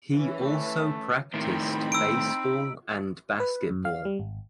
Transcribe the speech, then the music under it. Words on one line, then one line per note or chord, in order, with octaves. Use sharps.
He also practiced baseball and basketball.
E3 C#4
A3
A2 D#3 C4 D#4 B5
E6 D7
B4
F#2
F5
G3
G#1